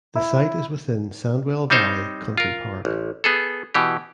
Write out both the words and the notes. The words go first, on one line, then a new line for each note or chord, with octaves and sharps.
The site is within Sandwell Valley Country Park.
E4
G3 C4 D#4 C5 C#5
F4 A#4
A1
B3 G#4 A4
B2 E3 G4